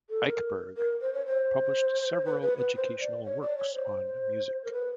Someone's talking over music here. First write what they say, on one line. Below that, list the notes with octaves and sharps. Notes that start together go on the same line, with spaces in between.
Eichberg published several educational works on music.
A4
A#4
A#4
C5
C#5
C5
B4
B4
B4
C5
D5
C#5
D5
C#5
C5
A#4
B4